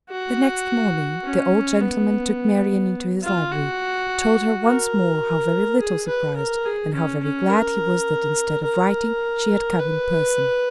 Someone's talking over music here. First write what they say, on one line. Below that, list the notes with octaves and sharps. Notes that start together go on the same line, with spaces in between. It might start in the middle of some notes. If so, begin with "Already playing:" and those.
The next morning, the old gentleman took Marian into his library, told her once more how very little surprised, and how very glad he was that instead of writing, she had come in person.
F#4
C#4
B3
F4
F#4
A#4
G#4
B4
A#4
G#4
C#4
C#4
A#4
A#4
B4